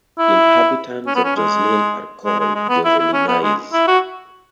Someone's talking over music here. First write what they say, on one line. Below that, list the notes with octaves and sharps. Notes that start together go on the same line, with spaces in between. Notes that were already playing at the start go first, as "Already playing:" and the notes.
Inhabitants of Josselin are called "Josselinais".
E4
C#4
B3
C#4
G#3
G#3
G#3
G#3
B3
E4
E4
C#4
B3
G#3
E4
F#4